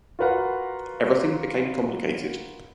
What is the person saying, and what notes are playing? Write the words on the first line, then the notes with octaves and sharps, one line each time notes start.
Everything became complicated.
F4 F#4 A#4 B4 F5 F#5